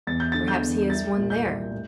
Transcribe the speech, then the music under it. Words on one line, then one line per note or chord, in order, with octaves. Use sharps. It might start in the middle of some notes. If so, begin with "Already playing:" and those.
Perhaps he has won there.
E2 A6
G6
D3 A6
G6
E2
C2 A6
A#2
G6
C2
A2